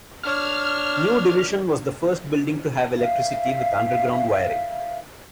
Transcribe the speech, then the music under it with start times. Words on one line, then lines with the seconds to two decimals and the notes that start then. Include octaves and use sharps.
New Division was the first building to have electricity, with underground wiring.
0.24 D4 C#5 F6
2.97 E5 F5